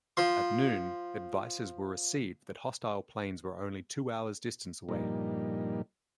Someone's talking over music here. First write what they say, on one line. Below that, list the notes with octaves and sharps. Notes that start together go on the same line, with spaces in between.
At noon advices were received that hostile planes were only two hours' distance away.
F3 C6
G2 A#2 F3 G3 A#3 D#4